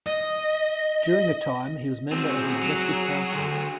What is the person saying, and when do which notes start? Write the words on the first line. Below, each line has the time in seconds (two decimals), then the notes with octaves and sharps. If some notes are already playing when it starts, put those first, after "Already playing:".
During a time, he was member of the Executive Councils.
0.07 D#5
2.12 C#2 C4 F#4 G#4
2.63 F#3
3.33 D2